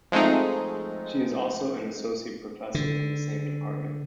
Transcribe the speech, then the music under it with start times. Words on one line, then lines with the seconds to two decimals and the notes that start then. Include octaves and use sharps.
She is also an Associate Professor in the same department.
0.12 F3 G#3 A3 C4 D#4
2.75 D3